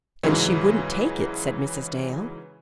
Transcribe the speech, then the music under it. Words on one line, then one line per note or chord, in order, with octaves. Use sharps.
"And she wouldn't take it," said Mrs. Dale.
G#2 C#3 E3 F#3